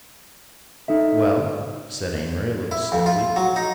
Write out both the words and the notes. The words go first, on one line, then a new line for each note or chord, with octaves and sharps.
"Well?" said Amory a little stiffly.
D#4 A4 E5
E4
F2
F4
F#3
D#4